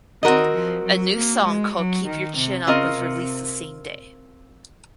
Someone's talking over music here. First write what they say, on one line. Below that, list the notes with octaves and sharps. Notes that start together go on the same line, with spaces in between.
A new song called "Keep Your Chin Up" was released the same day.
D#3 C4 F#4 A#4 D#5
F3
F#3
A#3
G#3
F#3
D#3
C3
C#3 C4 F4 A#4 D#5
C3